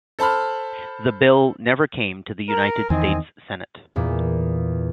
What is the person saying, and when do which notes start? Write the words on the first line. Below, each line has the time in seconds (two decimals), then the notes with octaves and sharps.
The bill never came to the United States Senate.
0.19 A4 C5 A5 B5 F6
2.49 A#4
2.90 E2 D#3 C4 D#5 G#5
3.96 E2 A#2